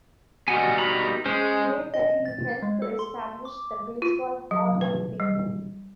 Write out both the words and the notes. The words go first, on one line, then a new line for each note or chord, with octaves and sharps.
Later he helped to establish the Baseball Hall of Fame.
B2 G3 D#5 F#5 G#5
D#4 A#5 B5
G#3 C#4 C5
D#5
A6
G#3
A4
C6
D6
F4
F#3
B4
G3